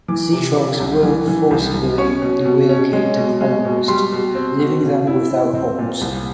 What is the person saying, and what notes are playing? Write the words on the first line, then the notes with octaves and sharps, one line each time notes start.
Zetrox will forcibly relocate the colonists, leaving them without homes.
E3 D6
C3
C3
C2
E3
E3
C2
C2
C#4 C#6
B2
B2
C#4
G#3
B2
G#3
B2
G3 C6
B2
C4
B2
B2
E4
E4
C4
A#2
C2